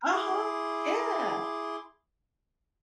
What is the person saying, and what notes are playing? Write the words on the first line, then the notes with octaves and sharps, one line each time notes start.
Uh-huh, yeah.
E4 G#4 C6 D6